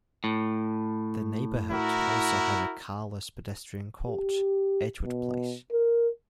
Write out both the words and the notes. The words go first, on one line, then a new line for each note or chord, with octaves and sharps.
The neighborhood also has a carless pedestrian court, Edgewood Place.
A2
E4 F#4 A#4
G4
B2
A#4